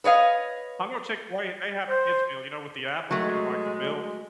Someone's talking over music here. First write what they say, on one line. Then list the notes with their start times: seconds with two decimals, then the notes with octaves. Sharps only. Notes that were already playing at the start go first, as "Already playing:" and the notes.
I know Chick-fil-A, if they have a kids meal, you know, with the apple, and, like, the milk
0.04 B4 C#5 D#5 F5
1.89 C5
3.11 F#3 G#3 A3